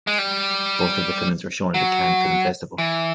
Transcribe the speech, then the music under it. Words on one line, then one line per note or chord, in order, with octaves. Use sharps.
Both of the films were shown at the Cannes Film Festival.
G#3
G3
F#3
E3